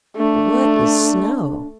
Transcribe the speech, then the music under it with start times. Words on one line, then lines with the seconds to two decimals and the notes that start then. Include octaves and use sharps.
"What is snow?"
0.17 A3 D4